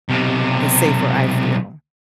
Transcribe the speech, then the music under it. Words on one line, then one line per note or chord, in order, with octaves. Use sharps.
the safer I feel.
B1 C3